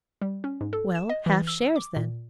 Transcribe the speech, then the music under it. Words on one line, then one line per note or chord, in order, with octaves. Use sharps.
"Well, half shares then."
G3
C#4
G#2
A4
E7
D#5
E3
E6
D6
A#2